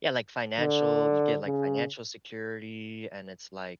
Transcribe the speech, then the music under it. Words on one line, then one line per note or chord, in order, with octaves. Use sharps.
Yeah like financial you get, like, financial security, and it's like
D3
C#3